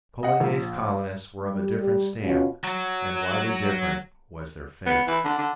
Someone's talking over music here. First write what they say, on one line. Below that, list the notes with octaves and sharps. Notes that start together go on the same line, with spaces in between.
Coligny's colonists were of a different stamp, and widely different was their fate.
D#5 F#5
A#1
G3
G3
B2 C#4 F4
F#3
B3
E3
D3
D3